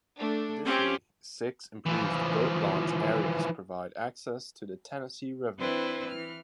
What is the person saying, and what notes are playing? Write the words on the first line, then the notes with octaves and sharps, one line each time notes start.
Additionally, six improved boat launch areas provide access to the Tennessee River.
A3 D4
C4 C#4 F4 G4
E3 F3
E3 C4 D4 E4 B4 C5
E3 F6